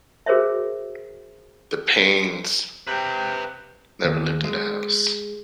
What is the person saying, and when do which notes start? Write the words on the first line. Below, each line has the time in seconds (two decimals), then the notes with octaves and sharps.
The Paines never lived in the house.
0.26 F#4 G#4 A#4 C5 C#5 E5
2.87 C3 B4 G5
4.04 D#2
4.44 G#3